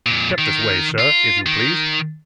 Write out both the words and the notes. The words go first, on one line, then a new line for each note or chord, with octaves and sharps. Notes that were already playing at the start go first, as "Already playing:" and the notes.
Step this way, sir, if you please.'
F2 A#2
D#3
F4
D#3